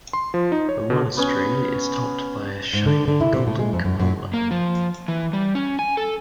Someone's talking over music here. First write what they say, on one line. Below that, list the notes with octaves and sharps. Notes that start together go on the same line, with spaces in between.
The monastery is topped by a shining golden cupola.
C6
F3
D#4
C#5
B2
B3 C#4
G#2
D3
D3
E4
C3
A2
G#3
F2
F#2
F#2
A#3
F3
E3
G3
C#4
G#5
A4